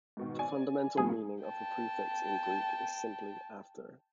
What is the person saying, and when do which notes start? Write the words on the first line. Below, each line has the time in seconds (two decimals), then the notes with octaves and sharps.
The fundamental meaning of the prefix in Greek is simply after.
0.17 G#2 B2 D#3
0.39 D5 G#5
0.97 F1 G2 G#4
1.44 G5 A5